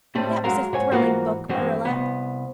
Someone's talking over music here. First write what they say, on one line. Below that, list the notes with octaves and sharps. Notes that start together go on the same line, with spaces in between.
That was a thrilling book, Marilla.
A2 G3 A3 C4
F#2 F#3 G#3 F5 A#5
G#2 C#5 G#5
G#2 E3 A#3 F4 F#4
G2 E3 G#3 C4 F#4
C2 B3